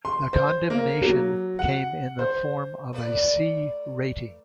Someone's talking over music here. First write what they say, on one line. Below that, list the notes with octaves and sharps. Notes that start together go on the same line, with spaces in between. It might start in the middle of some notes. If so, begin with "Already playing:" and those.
The condemnation came in the form of a 'C' rating.
C6
C5
A#3
F#3
F#5
C5
A3 B4 D5